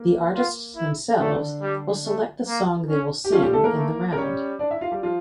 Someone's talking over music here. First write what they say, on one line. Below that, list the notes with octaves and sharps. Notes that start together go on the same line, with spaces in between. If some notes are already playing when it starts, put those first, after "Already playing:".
The artists themselves will select the song they will sing in the round.
Already playing: A#3
F4
E4
D3 A3 D4
G3
A3
A#3
C#4
G4
F3 C#4 F4
G3 G4
A3 A4
A#3 A#4
A3
A#4
G3 C#4 C#5
D4 D5
E4 E5
F4 F5
G3 G4
F3 F4